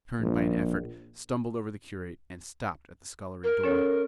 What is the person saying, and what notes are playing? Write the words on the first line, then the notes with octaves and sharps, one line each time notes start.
I turned by an effort, stumbled over the curate, and stopped at the scullery door.
A#1
A#4
C#4 A4 C#5